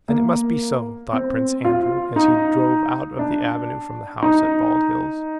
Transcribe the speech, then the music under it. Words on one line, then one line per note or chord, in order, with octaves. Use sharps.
"Then it must be so!" thought Prince Andrew as he drove out of the avenue from the house at Bald Hills.
A#3
C4
F4
D#4
D4
D#4